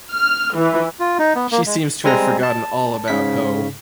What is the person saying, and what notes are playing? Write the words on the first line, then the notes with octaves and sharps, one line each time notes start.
She seems to have forgotten all about Ho.
F6
E3
F4
D#4
B3
A#3
G#3
G3 G#3 C4 G#5 A#5 A#6
A5
G#2 C#3 B6